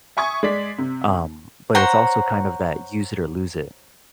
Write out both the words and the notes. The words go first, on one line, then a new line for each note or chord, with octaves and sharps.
Um, but it's also kind of that use it or lose it,
E5 G#5 C#6 D#6 G#6
G#3 D5 B6
C3
C5 C#5 F#5 A#5